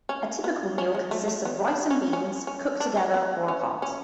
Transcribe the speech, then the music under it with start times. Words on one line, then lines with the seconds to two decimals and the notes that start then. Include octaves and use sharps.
A typical meal consists of rice and beans, cooked together or apart.
0.09 C#4
0.44 B3
0.78 C#4
0.95 G#3
1.11 A3
1.28 A3
1.45 B3
1.68 D4
1.91 C#4
2.13 C#4
2.47 C#4
2.80 D4
2.97 C#4
3.14 B3
3.48 C#4
3.82 C#4